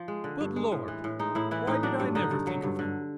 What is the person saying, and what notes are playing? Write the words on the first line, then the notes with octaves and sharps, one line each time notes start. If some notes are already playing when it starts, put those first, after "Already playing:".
Good Lord!--why did I never think of him?
Already playing: F3
G#3
D3
G2
G#3
A2
E3
A2
G#3 D#4
A2 E4
E3 E4
A2 D#4
F#3 D4
G2
D3 D#4
G2
F#3
G2
D3